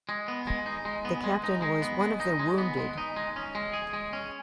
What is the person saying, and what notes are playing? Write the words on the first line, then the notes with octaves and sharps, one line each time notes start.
The captain was one of the wounded.
G#3
B3
G#3
D#4
G#3
B3
G#3
D#4
G#3
B3
G#3
D#4
G#3
B3
G#3
D#4
G#3
C#4
G#3
G#4
G#3
C#4